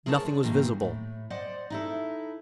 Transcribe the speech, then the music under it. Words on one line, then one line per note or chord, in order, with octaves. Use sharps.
Nothing was visible.
G#4 A#4 C5 C#5 E5 A5
D4
G#2 D#3 E3 A#3
A2
C5 D5 D#5 F#5
D#4 E4 A4